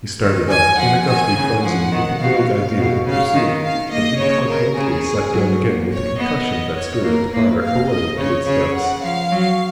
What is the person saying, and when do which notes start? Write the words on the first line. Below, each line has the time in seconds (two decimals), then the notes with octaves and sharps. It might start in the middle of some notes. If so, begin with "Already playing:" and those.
He started up in a gusty frenzy with a vague idea of pursuit, and incontinently sat down again with a concussion that stirred the bar below to its depths.
0.22 D#3
0.50 G#5
0.79 F3 F#5
1.07 D#3 G#5
1.36 C#3
1.64 F3 F#5
1.92 D#3
2.21 B2 F5
2.78 B2
3.06 C#3 F5
3.35 D#3
3.64 F5
3.92 A#3 D#5
4.20 C#3 C#5
4.48 C#3 A#4
4.77 C#3 G#4
5.33 F#3
5.62 A#3
5.91 C#5
6.19 B3 D#5
6.76 C#5
7.04 A#3 A#4
7.33 A#3 B4
7.61 F5
7.89 D#5
8.18 C#3 C#5
8.46 C#3 C#5
8.75 F#5
9.03 F3 F5
9.32 F#3